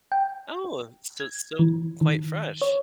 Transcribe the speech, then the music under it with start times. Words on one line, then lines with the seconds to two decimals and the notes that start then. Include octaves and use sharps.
Oh, so still quite fresh.
0.12 G5
1.20 G#6
1.59 E3
2.01 D#3
2.62 C#5